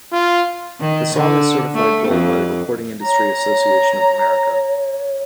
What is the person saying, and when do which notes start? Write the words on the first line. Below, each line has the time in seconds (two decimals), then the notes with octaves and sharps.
The song is certified gold by the Recording Industry Association of America.
0.13 F4
0.81 D#3
1.15 D3
1.75 A3
2.08 F2
3.04 C#5 A#5